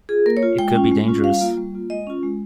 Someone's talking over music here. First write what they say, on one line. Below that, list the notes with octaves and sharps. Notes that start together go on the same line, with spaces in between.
It could be dangerous.
F4 G#4
A#3 A#4
C#5
F4
G#3 G5
C#4 F4
G#3
C#4 F4
G3 F5
A#3 F4
G3
A#3 F4
G#3 D#5
C#4 F4
G#3